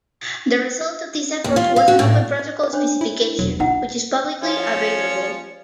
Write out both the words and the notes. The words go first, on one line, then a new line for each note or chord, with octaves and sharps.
The result of this effort was an open protocol specification, which is publicly available.
D#2
F4
F5
F#4
A2
D4 C5 C#5
E4
E1 F#3
D4 D#4 F4 F#5
F3 C#4